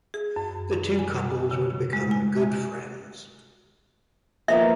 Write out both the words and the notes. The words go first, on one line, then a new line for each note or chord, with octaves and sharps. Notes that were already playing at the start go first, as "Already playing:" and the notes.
The two couples were to become good friends.
G#4
F#2
G#5
C#3
G#3
G#5
F3 A#3 B3 E5